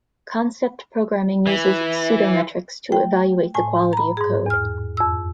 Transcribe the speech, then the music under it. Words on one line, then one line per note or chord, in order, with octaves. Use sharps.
Concept programming uses "pseudo-metrics" to evaluate the quality of code.
E3
A3 G5
A2 G#5 A5
A#5 B5
G#2 G#4
E2 F6
F2 E6